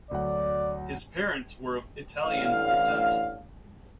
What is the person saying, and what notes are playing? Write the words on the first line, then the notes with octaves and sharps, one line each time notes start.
His parents were of Italian descent.
D2 F#3 D5 F#5
A1 A2 D3 F5